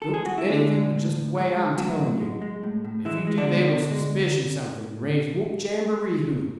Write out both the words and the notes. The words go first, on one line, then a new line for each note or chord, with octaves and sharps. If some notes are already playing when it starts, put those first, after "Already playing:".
Don't do anything but just the way I am telling you, if you do they will suspicion something and raise whoop-jamboreehoo.
A4
G#4
F#4
E4
D3 G#3 D4
G#3
A2
A2
G#3
G#3
A2 F#3 F#4
A2
G#3
G#3
A2
A2
E3 G#3 E4
G#3
D3 D4
B2
B2
G#3